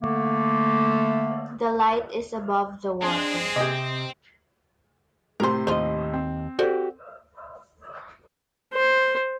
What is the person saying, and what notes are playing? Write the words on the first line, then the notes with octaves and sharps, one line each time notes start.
The light is above the water.
D3 A3 A#3
G#3 C4 D4 G#4
C3 G4 D#5
A2 C3 A#4 C5 C6
D#2 F4 C5 D#5
C4
F#4 G4 A4 C5 D5
C5